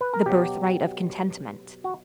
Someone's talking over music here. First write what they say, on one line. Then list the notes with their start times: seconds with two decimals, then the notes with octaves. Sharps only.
The birthright of contentment.
0.01 B4
0.14 A#4
0.26 B2 F#3 G4
1.84 F#4